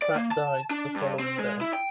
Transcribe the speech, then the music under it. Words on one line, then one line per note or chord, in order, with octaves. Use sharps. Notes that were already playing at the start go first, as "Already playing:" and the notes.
Pratt died the following day.
D5
A#3
A5
D4
G2
C4
G#3
E4
G5